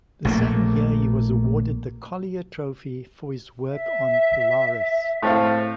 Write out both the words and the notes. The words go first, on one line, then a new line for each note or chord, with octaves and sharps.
The same year he was awarded the Collier Trophy for his work on Polaris.
A#1 A3 A#3
E5
A2 C4 F5